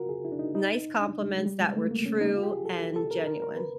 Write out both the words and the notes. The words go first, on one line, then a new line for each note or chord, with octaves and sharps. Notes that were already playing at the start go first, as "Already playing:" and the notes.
nice compliments that were true and genuine.
Already playing: F4 F#4 A#4
G#4
E4
D4
D#4
D#4
D4
G#3
G#3
G3
G#3
A3
A#3
C#4
D#4
F4
G4
G#4
A4
A4
A#4
A#4
A#4
B4